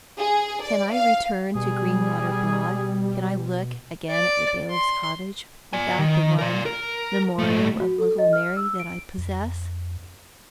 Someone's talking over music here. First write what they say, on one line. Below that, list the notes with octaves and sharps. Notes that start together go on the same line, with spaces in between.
Can I return to "Greenwater Broad," can I look again at the bailiff's cottage, without the one memorial of little Mary that I possess?
G#4
D5
F5
B2 G3 G#4
D5
C6
D5 G#5
D#3
A#4 D5
A#4
G#2 A3
F#4
A4
D#5
F6
E6
D7
F2